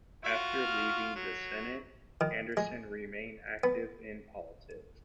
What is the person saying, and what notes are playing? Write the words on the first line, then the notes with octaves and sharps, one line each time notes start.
After leaving the Senate, Anderson remained active in politics.
F4 F#4 F6
F#3
D#3
G#3
B3